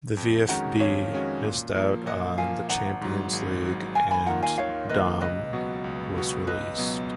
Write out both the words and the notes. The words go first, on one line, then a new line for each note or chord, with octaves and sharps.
The VfB missed out on the Champions League and Daum was released.
F2
D#3 G#3 C#4 F#4 F#5 A#5
F2 C#5 F5
D#3 G#3 C#4 F#4
A#2
F3 A#3
A#2 D#5 F#5
F3 A#3 F5 G#5
G#1 F#5 A#5
G#2 F#3
G#1
G#2 F#3
D#2 F5 G#5
G#5 B5
D#3 A#3 F4 F#5 A#5
F5 G#5
D#2 C#5 F5
D#3 A#3 F4 B4 D#5
C#2 B4 D#5
B2 F#3 B3 F#4
C#2
B2 F#3 B3 F#4
C#2 B4 D#5
B2 F#3 B3